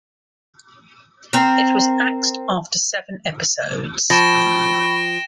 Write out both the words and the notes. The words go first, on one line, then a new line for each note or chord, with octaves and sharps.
It was axed after seven episodes.
C4 A#4
F3 G5 B5 C#6 A#6 E7